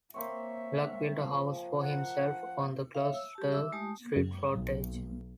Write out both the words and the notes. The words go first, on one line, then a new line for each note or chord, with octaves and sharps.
Luck built a house for himself on the Gloucester Street frontage.
A#3 C4 C#5 E5
F3
F#5
C#5 E5 F5
E6
G4 A5
E5 D6 E6
G#3 A3 G4 A5 D#6
F#2
B1